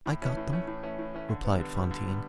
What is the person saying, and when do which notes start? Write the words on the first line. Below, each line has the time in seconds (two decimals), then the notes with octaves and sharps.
"I got them," replied Fantine.
0.06 A2
0.22 E3 A3 C#4
0.37 A2
0.52 E3 A3 C#4
0.67 A2
0.83 E3 A3 C#4
0.99 A2
1.14 E3 A3 C#4
1.29 D3
1.45 G3 B3
1.60 D3
1.75 G3 B3
1.91 D3
2.06 G3 B3